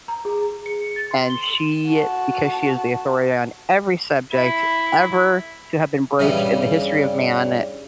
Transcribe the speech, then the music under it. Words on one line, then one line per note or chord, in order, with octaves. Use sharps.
and she- because she is the authority on every subject ever to have been broached in the history of man, eh,
A#5
G#4
C#7
A6
C6
G7
F#4 A5
E4
G2 C#3 E3 G3